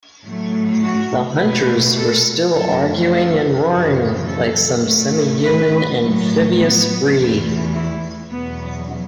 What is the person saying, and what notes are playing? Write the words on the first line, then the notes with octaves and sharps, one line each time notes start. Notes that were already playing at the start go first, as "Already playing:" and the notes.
The hunters were still arguing and roaring like some semi-human amphibious breed.
A2 F#3 A3
F#4
B2 A3 B4
A4
F#2 F#3 A3 A4
A4
F#2 C#3 E3 F#4
A4
A2 A3
B4
A2 F#3 A3
B3
E2 E3 A3
E4
E2 B2 F#3 B3